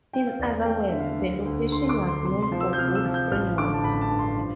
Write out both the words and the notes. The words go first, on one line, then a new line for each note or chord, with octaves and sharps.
In other words, the location was known for good spring water.
C4 G5
F5
E2 D5
D5
A3 G5
F5
D3 E5
F5
D2
D2
D3 C6
D6
D3
C6
C3 C6
C6
F3
E6
G6
C3 F6
E6
F3
G6
A1 F6
D3 D6
A5
A1 B5
A5
G2
C6
F3